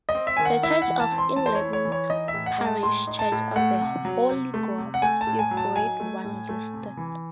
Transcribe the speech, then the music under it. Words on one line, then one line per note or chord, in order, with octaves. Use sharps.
The Church of England parish church of the Holy Cross is Grade One listed.
D#5
C4
E5
D#3 G#5
F#5
E4 E5
F#5
E3
A5
C4
C6
E3 A5
C5
C#5
E4
C#5
E3
C#5
D#4 D#5
E5
A2
F#5
G#3
A5
A2 C6
D#4
A5
A2
A3 F#5
C3
F#3
C3
A3
C3
F#5
A3 G#5
A5
A2
G#5
F#3
A5
D#4 G#5
A3
A2
A3
C3
E3